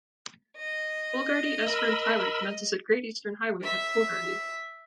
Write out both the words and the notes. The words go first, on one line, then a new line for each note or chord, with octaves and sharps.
Coolgardie-Esperance Highway commences at Great Eastern Highway at Coolgardie.
D#5
A#4 B5 E6
E5